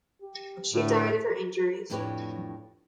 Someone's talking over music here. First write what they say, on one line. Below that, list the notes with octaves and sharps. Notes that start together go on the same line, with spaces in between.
She died of her injuries.
G4
A2 D3
F2 A2 D4 G4 B4 C#5